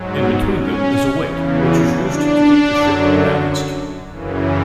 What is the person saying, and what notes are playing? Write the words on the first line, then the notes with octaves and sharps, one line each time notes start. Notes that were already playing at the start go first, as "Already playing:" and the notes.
In between them is a weight, which is used to keep the ship balanced.
Already playing: G#2 F#3
B3
C#4
E2 C#3 E3
D4
F#2 D3 F#3
F#2 C#3 E3